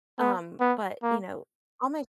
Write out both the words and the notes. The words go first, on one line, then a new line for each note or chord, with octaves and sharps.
Um, but, you know, all my
B3
B3
A#3